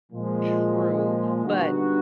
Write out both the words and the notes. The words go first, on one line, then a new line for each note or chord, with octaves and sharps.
true, but,
A#2 F3 G#3
D3 G3 B3 D#4 F#4